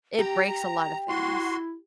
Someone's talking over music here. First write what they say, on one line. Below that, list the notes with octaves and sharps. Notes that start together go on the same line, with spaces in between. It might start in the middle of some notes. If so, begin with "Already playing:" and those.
it breaks a lot of things,
G4 G5 A#5
E4 F#4 C6